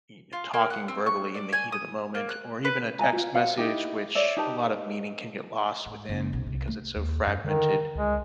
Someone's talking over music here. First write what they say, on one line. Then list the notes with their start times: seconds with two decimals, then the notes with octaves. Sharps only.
you kn talking verbally in the heat of the moment or even a text message, which a lot of meaning can get lost within because it's so fragmented.
0.33 F4
0.54 A#3
0.70 F#5
0.88 C4
1.06 C#6
1.35 D5
1.53 G#5
1.72 D#6
2.15 A#3
2.29 F#6
2.65 B4
2.99 D#5 F#5 G#5 A#5
3.12 F4 F#4
3.35 F#4 C5 F5 F#5
3.57 D#4 E4 G4
4.15 C#5 D5 E5
4.37 D#4 G4 B4 A5
5.86 G#2
6.09 F#1
6.33 B1
6.47 C2
6.68 A3
6.96 D#2
7.27 F#2
7.44 D3 D#3
7.95 C#2 G#3